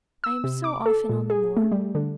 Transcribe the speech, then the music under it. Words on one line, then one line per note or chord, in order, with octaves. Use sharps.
I am so often on the moor.
E6
C3
D6
A4
A#2
G#4
A3
G3
D3